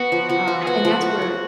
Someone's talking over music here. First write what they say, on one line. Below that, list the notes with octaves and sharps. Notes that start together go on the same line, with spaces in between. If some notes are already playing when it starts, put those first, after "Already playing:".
Um, and that's where
Already playing: B3 F#4
F3
F3 F#4
F4
G#4
B3 F#4
F3
F3
F4